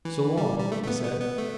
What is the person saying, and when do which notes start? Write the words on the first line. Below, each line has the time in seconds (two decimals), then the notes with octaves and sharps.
"So long," he said.
0.05 E3
0.38 G3
0.59 G3
0.72 A3
0.83 A3
0.88 B3
1.04 B3
1.21 B3
1.38 A3